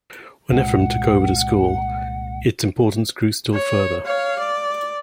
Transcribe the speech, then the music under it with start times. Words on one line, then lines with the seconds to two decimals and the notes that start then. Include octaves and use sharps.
When Ephrem took over the school, its importance grew still further.
0.52 C2 A#2 G#3 F#5
3.53 C#5
4.06 C#5 F5
4.39 D5